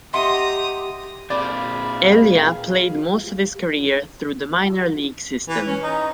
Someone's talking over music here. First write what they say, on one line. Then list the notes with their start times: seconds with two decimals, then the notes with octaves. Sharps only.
Elia played most of his career through the minor league system.
0.14 G4 D#5 E5 F#5 A#5 C6 D#6
1.30 A#2 C4 G#4 D5 F5 B5
5.48 E3
5.68 C#4
5.83 D#4